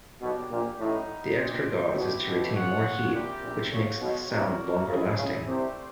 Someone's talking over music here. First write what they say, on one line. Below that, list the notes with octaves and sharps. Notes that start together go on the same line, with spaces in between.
The extra gauze is to retain more heat, which makes the sound longer lasting.
B1 B2 A#3 D4 G4
A#1 A#2
A1 A2 G3 B3 D#4
A#1 A#2 D4 G4 C5 D#5 G5
B1 B2 A3 C4 E4 G4
B1 B2
F4 G#4 C#5 F#5
A#1 A#2 C4 E4 G4 A#4
A#1 A#2
A#1 A#2 F4 G#4 C#5 F#5
B1 B2
C2 C3 A#3 D4 F#4 A#4
C#2 C#3 C4 E4 G#4
C#2 C#3
C2 C3 A3 D4 G4 C5